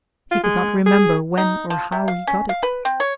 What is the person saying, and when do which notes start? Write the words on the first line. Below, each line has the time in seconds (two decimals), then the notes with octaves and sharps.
He could not remember when or how he got it.
0.31 F4
0.44 G#3
0.86 G#4
1.38 D#4
1.70 F3
1.92 C3
2.08 F5
2.27 C#4
2.49 F5
2.63 B4
2.85 C4
3.00 C#5